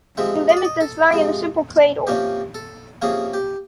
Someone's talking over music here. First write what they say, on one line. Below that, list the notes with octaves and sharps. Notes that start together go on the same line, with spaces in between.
The limb is then slung in a simple cradle.
C3 F3 G#3 E5
D#5
D5
D#5
A4
C3 F3 G#3
C3 F3 A#3 C#4 G4
A4
C3 F3 A#3 C#4 G#4
G4